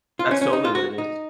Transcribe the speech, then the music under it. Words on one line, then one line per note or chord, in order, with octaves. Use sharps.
That's totally what it is.
F4
C#4
C#4
D#4
F4
F#4
D#4